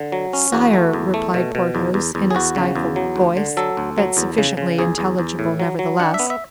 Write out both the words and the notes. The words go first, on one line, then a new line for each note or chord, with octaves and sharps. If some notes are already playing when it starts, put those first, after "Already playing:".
"Sire," replied Porthos, in a stifled voice, but sufficiently intelligible, nevertheless.
Already playing: D3
F#3
C#4
E2 F#4
A3
E2
A3
B2
B2
E2
E2
E2
G#4
E2 F#4
C#3
E2
F#3
D2
D3
F#3 A4
D2
F#3
E2
C#3
C#3
E2 G#4
E2
E2
A2
F#3
F#3
D4 F#5
E5
B3
E5